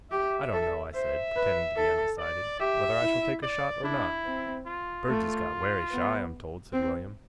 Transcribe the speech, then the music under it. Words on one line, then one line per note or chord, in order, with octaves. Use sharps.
'I don't know,' I said, pretending to be undecided, 'whether I shall take a shot or not.' 'Birds is got wery shy, I'm told,' said William.
G4 E5
A4
C5 E5
B4
A4
D5
G4 E5
E4
D5
D4 E4
C4
F4
A3
B3
C4